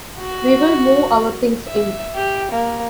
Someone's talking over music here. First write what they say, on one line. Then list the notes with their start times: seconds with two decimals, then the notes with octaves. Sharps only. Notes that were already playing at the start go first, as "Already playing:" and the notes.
We will move our things in.
0.18 F#4
1.66 E5
2.15 G4
2.51 A#3